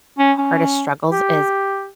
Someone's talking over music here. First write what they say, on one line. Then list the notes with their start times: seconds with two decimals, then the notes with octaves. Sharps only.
hardest struggles is
0.18 C#4
0.38 C#4
1.12 G4